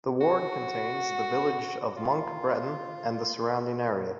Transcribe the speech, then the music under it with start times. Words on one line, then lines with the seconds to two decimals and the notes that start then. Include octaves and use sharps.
The ward contains the village of Monk Bretton and the surrounding area.
0.21 F#4
1.97 F4